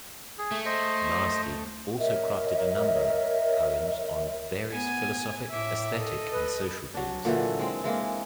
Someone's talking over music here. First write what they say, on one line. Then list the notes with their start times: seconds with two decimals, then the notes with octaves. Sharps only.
Maasti also crafted a number poems on various philosophic, aesthetic and social themes.
0.38 G#4
0.52 A3
0.65 C5 D#5
1.98 A#4 C#5 D#5 E5
4.73 B3 G#5
5.50 A2 E5 D6
5.95 A4 D#5
6.32 B4
6.94 F#3 D4
7.25 A#2 D3 E3 F#3
7.59 G#3 C4
7.84 E3 G#3 A#3